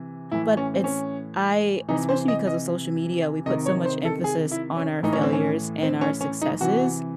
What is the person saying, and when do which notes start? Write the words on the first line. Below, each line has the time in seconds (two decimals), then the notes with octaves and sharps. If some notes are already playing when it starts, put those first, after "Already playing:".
but it's I especially because of social media, we put so much emphasis on our failures and our successes,
Already playing: C3 E3
0.32 A2 E3 E4
0.57 C#4
0.74 C4
0.84 C#4
1.88 C3 E3 D#4
2.09 C5
2.28 D#5
2.47 D#5
3.46 C3 D#3 D#5
3.66 C#5
3.86 C5
4.05 A4
4.24 G#4
4.52 E4
4.77 C#4
5.03 A2 E3 D#4
5.13 C#4
5.23 C4
5.33 C#4
5.83 C4
6.01 C#4
6.21 C#4
6.42 D#4
6.60 C3 E3 F#4